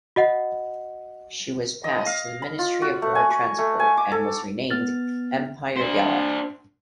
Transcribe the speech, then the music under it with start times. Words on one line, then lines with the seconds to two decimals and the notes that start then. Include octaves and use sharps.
She was passed to the Ministry of War Transport and was renamed "Empire Gallop".
0.16 F#4 D#5 F#5
1.84 D#5
2.06 F5
2.42 B5
2.59 F4
2.82 F#4
3.02 A3
3.15 G#5
3.31 C#6
3.58 A3
3.80 G#5
3.97 D6
4.12 A4
4.70 B3 F6 A6
5.77 D4 C5